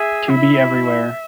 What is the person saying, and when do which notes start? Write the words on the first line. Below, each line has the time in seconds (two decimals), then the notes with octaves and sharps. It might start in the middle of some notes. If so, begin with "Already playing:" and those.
To be everywhere.
Already playing: G#4 E5
0.29 E4 E5